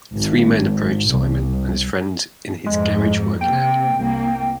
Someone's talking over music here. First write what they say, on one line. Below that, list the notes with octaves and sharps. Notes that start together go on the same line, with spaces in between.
Three men approached Simon and his friend in his garage working out.
G#1
C2
F2 G#2 G#3
C3 A#3 G5
C2 A#3